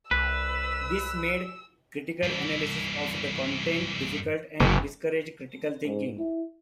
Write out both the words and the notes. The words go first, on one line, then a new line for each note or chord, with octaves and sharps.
This made critical analysis of the content difficult and discouraged critical thinking.
C2 B4 E6
G2 E3
F#1 A2 C3
G#2
E4